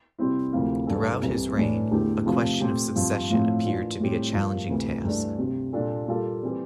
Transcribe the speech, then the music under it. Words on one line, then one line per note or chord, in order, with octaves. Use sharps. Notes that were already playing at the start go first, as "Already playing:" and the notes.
Throughout his reign, a question of succession appeared to be a challenging task.
C3 G3 C4 E4
D2 C3 F3 A#3 E4
G2 E3 A#3 D4 A4
C2 C3 E3
A2 E3 A3 D4
E2 D3 A3 E4 G4
C3 F3 A3
A#2 A3 C4 G4
G2 F3 C4
A2 F3 A3 C4
E3 A#3 D4 F4
A2 G3 C4 G4
G2 F3 A#3
D2 C3 E3
G2 E3 A3 D4
C3 G3 D4
A#2 G3 D4 F4 A4
A#2 G3 A#3 F4 A4
E3 G3 C4